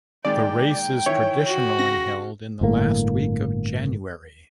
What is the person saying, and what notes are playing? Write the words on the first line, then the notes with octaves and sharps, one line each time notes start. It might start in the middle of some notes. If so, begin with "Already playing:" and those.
The race is traditionally held in the last week of January.
A#2 D#3 G#3 D5 G5
D#3 E3 E4 C#5
F#4
C#3 A#6
G1 A2 A#3